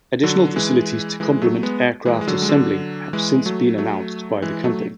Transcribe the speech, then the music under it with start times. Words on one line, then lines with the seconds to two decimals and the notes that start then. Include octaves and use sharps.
Additional facilities to complement aircraft assembly have since been announced by the company.
0.23 D3 F#3
0.56 E3 G#3
1.20 E3 G#3
1.42 F#3 A3
1.63 G#3 B3
2.05 E3 G#3
2.21 G#3
2.28 D3 F#3
2.42 G#3
2.49 D3 F#3
3.13 E3 G#3
3.46 F#3 A3
3.78 F#3 A3
4.42 E3 G#3
4.64 F#3 A3